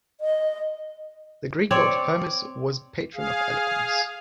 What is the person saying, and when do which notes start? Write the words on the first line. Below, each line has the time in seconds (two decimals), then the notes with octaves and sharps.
The Greek god Hermes was patron of eloquence.
0.21 D#5
1.71 C4 C#5 D5
3.15 G#4 F5